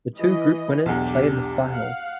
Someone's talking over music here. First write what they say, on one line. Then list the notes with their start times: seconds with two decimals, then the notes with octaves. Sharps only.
The two group winners play in the final.
0.17 E3 D#5
0.86 B1 E2 D4 G4
1.71 F5 F#5